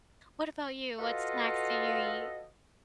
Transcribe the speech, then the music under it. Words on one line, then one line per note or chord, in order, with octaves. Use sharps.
what about you, what snacks do you eat?
F4 F#4 A4 B4 D#5 F5